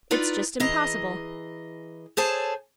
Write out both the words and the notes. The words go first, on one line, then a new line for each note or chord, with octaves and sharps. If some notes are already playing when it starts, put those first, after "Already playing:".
It's just impossible!
D#4 F4 B4 D5
E3 G#4 D#5 A#5
G#4 A4 C5 C#5 G#5 A5